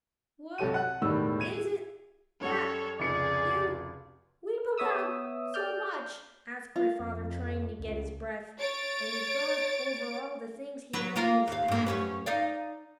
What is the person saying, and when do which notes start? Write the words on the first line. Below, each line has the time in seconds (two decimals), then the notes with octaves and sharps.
"What--is it--that--you--weep about--so much?" asked my father, trying to get his breath, and he thought over all the things he had in his pack.
0.58 C2 F#3 A4 C#5 D#7
0.74 F#5 F#6
1.02 E1 A2 D#3 G3 E6
1.40 G#6 D#7 F7
2.41 F#2 G3 A4 C#5
3.00 F1 C#2 G#4 D5 C#7
4.78 B3 C#5 E5 D#6 E6
5.54 D5 F6 G6
6.76 F4
7.00 F2
7.79 C#2
8.59 C#5 A6 D7
10.93 F#3 B4
11.16 A#3 F4 A#4
11.48 D#2 F5
11.68 G2 A#3
11.86 F#2 C#4 B4
12.26 D#4 D5 F5